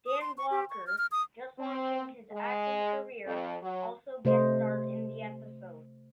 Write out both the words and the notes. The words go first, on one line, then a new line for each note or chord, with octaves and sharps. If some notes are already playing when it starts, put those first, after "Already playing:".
Dan Blocker, just launching his acting career, also guest starred in the episode.
D#6
C6
C#6
G4
C#6
F6
F6
D#6
C4
G#3
F2
F#3
C3 A3 C5 D#5